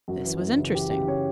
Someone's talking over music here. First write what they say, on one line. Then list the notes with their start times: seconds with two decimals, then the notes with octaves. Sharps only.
This was interesting.
0.08 F#2 F#4
0.25 E3
0.41 F#2
0.58 C#3
0.74 E3 G4
0.91 C#3 G4
1.08 C#3 C#5